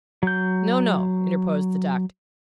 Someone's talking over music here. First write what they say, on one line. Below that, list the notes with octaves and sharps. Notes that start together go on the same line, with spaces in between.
'No, no,' interposed the Doctor.
F#3 G6